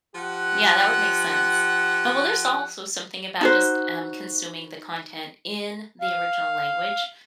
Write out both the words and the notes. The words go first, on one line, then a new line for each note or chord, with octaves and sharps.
yeah that would make sense, and well, there's also something about just, um, consuming the content in the original language,
F3 G4 F#5
D#4 F#4 C5
F5